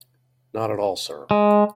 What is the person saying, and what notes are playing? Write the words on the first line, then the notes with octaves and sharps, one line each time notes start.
Not at all, sir.
G#3